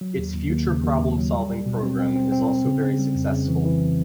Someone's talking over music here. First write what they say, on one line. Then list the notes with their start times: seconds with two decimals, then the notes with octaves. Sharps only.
Its Future Problem Solving Program is also very successful.
0.01 F#3
0.17 D#2
0.34 D#2
0.50 D#2
0.67 C#3
0.84 D#2
1.00 D#2
1.17 F#3
1.33 G3
1.50 G3
1.66 B2
1.83 C4
1.99 C4
2.16 C4
2.32 C4
2.48 C4
2.65 C#3
2.82 C#3
2.99 G3
3.15 F2
3.32 C#3
3.48 E3
3.65 E3